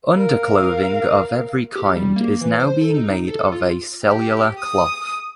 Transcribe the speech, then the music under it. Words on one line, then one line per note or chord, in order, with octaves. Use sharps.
Underclothing of every kind is now being made of a cellular cloth.
A#4 F5
G4
G3
A#3
E3
C5
A4
D#4
A4
F4
G4
D#6